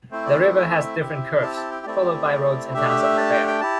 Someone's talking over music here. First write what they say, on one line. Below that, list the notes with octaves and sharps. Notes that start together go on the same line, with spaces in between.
The river has different curves, followed by roads and towns of Navarre.
A3 C4 E4 C5
D5
E5
E5
C4 E4 G4
A5
A5
G5
A3 C4 E4 G4 D5
A3 D4 G4 E5
D5
E5
E5
A5
G5
G5
E4 G4 A5